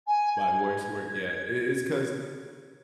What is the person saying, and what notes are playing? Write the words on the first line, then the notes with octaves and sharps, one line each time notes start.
My worst work yet, i it's 'cause
G#5
G#6